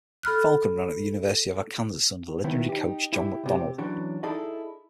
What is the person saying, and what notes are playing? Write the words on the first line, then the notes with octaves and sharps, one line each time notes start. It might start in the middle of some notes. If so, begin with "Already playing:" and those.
Falcon ran at the University of Arkansas under legendary coach John McDonnell.
A4 B5 F6 F#6
D#3 B3 E4
D#4 G4
E4 G4
C#2 C3 G4
E3 F#3 C#4 D4
D#4 E4 G#4 A4 D5 D#5